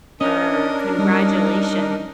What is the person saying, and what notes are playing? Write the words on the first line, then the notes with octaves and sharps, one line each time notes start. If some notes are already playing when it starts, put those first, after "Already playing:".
or "congratulation."
C#4 D4 A#4 D#5
G3 D#4